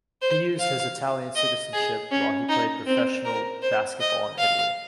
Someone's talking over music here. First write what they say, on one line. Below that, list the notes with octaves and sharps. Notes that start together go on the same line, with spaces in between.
He used his Italian citizenship, while he played professional basketball in Italy.
C5
F5
D#5
G#4
C#4
D#4
C4
A#4
C5
D#5
F5